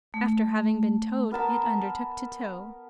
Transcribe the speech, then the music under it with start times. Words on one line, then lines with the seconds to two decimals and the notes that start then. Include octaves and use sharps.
After having been towed, it undertook to tow.
0.14 A3
1.31 B3 A#4 A5 B5